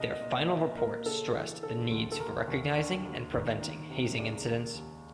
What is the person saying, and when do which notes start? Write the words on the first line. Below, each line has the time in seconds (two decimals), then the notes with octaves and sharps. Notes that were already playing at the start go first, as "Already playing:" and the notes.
Their final report stressed the needs for recognizing and preventing hazing incidents.
Already playing: C2 D#5
0.12 D#5
0.21 A#2
0.30 D5
0.49 A#2 E5
0.77 A#2 A#4
1.06 C#3 A4
1.35 E3
1.63 C#3 A4
1.91 D2
2.12 A4
2.20 D#2 A#4
2.48 D#2
2.76 D3
3.05 D#2
3.33 D#3 B4
3.61 D#3
3.90 C3
4.18 C#2 D5
4.47 D#2
4.75 D#2